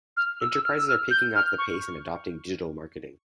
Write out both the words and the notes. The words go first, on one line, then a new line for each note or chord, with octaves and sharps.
Enterprises are picking up the pace in adopting digital marketing.
F6
E6
E6
F6
E6
F6
G6
F6
C#6